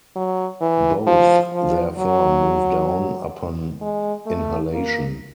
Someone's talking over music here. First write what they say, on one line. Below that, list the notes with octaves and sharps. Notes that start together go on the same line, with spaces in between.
Both, therefore, move down upon inhalation.
F#3
E3
F3
F3
F#3
G#3
A3
A#3